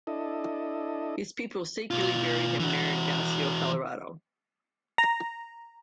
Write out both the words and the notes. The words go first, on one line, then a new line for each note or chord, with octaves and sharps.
His people secretly buried him near Ignacio, Colorado.
D4 E4 A4 D#5
B2 F4
E3 F#4
A#5